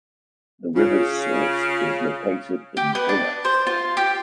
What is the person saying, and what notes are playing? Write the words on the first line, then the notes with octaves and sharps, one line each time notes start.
The river's source is located in Bullas.
C#3 F4
G4
B3
D4
C5
F4
G4